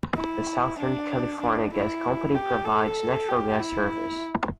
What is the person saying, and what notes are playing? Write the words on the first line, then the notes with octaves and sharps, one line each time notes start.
The Southern California Gas Company provides natural gas service.
E4
D4
D4
E4
G4
A4
G4
E4